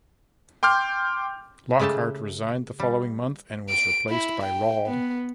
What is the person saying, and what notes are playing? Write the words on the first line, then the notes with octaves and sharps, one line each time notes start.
Lockhart resigned the following month and was replaced by Rawle.
G5 C6 D6 F6 G6
C#3 G#3 A3 G4 A5
G3
D7
E4
G5
B3